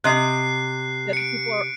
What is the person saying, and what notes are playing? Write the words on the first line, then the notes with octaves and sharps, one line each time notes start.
That people are
C3 D#5 F#6 C7
C#7 D7